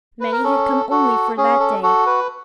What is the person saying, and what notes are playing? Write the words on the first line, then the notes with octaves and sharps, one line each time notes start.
Many had come only for that day.
B4
A#4
C#4 A4
F#4 A4
C#4 G#4
A4
F#4 A4
B4